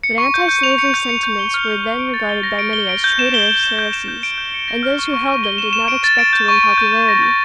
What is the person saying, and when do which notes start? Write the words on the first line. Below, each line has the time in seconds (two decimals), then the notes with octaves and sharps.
But antislavery sentiments were then regarded by many as traitorous heresies; and those who held them did not expect to win popularity.
0.04 C#7
0.18 C#6
0.34 G6
0.49 G6
0.63 F7
0.78 C#7
0.94 G6
1.09 C#7
1.23 G6
1.39 G7
1.54 F6
1.68 F6
1.84 F7
1.99 D7
2.14 A6
2.29 G7
2.43 A#6
2.59 D7
2.73 G7
2.89 D7
3.04 G6
3.19 E7
3.34 G7
3.49 E7
3.63 E7
3.79 G6
3.93 E7
4.08 G6
4.23 D7
4.38 G6
4.54 C#7
4.68 A#6
4.83 F6
4.99 C#6
5.13 C#6
5.29 C#6
5.44 G7
5.58 E7
5.73 E7
5.88 D7
6.04 A6
6.19 D7
6.33 G6
6.48 C#6
6.63 C#6
6.78 G6
6.93 G6
7.08 A#6
7.23 G6